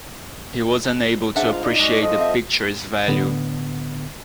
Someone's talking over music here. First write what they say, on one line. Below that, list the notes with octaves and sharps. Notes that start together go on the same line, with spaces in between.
He wasn't able to appreciate the picture’s value.
G#2 D4 E5 F#5
F4
D#4 D5
G#3 F#4
F3 A4 D#5
C4 E5
A2 D3 B3